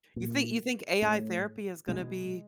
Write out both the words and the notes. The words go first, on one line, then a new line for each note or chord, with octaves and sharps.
You thi you think AI therapy is gonna be
A#2
A2
B2 G#3